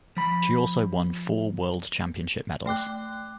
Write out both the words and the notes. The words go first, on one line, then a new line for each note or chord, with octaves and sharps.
She also won four World Championship medals.
F3 B5
A3 G5 D6 F#6